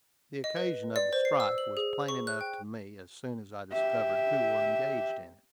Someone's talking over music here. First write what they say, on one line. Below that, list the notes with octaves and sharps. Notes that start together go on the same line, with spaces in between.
The occasion of the strife was plain enough to me as soon as I discovered who were engaged in it.
D#5
B4
D5
C5
C7
E6
F#7
G#4
C#6
F#6
G5
G4 E5